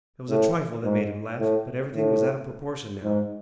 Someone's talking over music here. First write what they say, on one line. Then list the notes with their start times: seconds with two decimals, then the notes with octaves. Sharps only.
It was a trifle that made him laugh, but everything was out of proportion now.
0.30 A2
0.84 G#2
1.39 A2
1.94 A2
3.04 G#2